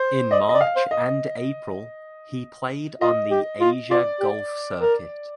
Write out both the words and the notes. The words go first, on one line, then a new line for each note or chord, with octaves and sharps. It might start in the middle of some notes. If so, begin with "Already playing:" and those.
In March and April he played on the Asia Golf Circuit.
Already playing: C5
D5 D#5
D5 D#5
F5
C5
D#5
F4 D#5
G4
F4
F4 D5
G4
A#4